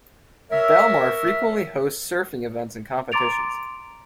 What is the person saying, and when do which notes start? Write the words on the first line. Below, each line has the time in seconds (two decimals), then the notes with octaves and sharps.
Belmar frequently hosts surfing events and competitions.
0.51 A#4 C#5 E5
3.12 A#5 C6 D6 A6 D7 F7